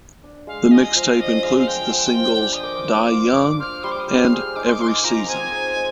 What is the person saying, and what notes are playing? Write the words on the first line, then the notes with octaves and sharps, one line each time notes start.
The mixtape includes the singles "Die Young" and "Every Season".
D4
G#3 F5
F4 D#5
F3 F5
D4 D#5
G#3 F5
F5
F4 G5
F3
F4
D4
D#6
A#4 D6
A#3
F4
D4
C5 F6
G3 C6
D6
D#6
C5 F6
G#4
D#4 D6
C6
D6
D#4 C6
D6
F4 A#5
C4 G#5
G#4
G#3